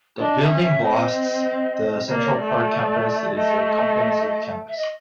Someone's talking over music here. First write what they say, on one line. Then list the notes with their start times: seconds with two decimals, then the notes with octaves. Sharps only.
The building boasts The Central Park Campus is a comprehensive campus.
0.19 D4 D#5
0.40 E5
0.50 C#4
0.61 E5
0.82 C4 D#5
2.08 A#3 D#5
2.16 D5
2.25 C#5
2.33 D5
2.41 A3
3.35 A3 D#5
4.68 E5
4.77 D#5